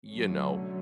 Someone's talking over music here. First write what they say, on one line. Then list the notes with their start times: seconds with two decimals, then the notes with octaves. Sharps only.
you know,
0.11 D3 F#3 A3 C#4